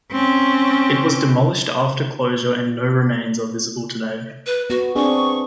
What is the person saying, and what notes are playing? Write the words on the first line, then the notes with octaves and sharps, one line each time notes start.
It was demolished after closure and no remains are visible today.
C4 C#4
B4
B3 F#4
C4 D4 G#4 C#6